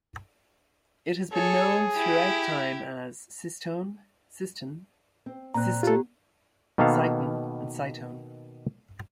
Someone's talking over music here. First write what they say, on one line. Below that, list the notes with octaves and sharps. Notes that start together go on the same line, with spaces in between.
It has been known throughout time as Sistone, Siston, Systun, Syton, and Sytone.
G#4 A4 C#5
E4 G4
C4
A#2 C4 A#5 F#6
F4 G4 A4
B2 D#3 A#3 B3 A4 F5